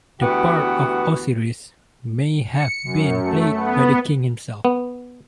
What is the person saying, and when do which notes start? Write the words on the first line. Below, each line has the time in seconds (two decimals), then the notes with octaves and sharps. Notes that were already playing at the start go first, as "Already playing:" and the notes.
The part of Osiris may have been played by the king himself.
0.21 D2 E3 B3 F#4 G4
2.51 C#7
2.85 F#2
3.23 A3
3.55 B3
4.65 B3